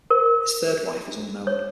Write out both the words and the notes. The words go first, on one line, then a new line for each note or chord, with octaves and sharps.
His third wife is unknown.
A#4
C#5